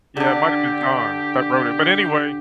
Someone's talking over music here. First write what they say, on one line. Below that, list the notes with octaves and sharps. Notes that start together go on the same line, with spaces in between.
Yeah, it might have been John that wrote it but, anyway,
D3 D4 G4